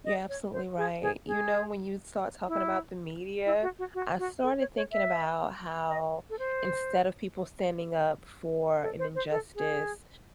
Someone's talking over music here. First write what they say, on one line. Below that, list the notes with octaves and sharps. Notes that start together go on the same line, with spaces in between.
You're absolutely right. You know, when you start talking about the media, I started thinking about how instead of people standing up for an injustice,
D#5
C#5
C5
G#4
G#4
G#4
E4
E4
F#4
F#4
F#4
F#4
A4
C#5
C#5
E5
D#5
A4
C5
A4
C5
C5
A4
G#4